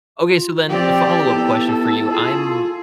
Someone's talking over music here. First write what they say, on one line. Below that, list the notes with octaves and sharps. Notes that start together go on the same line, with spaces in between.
Okay, so then a follow-up question for you, I'm
F4
F3 C4 G4 D5
B3 E4 A4
F4 G#4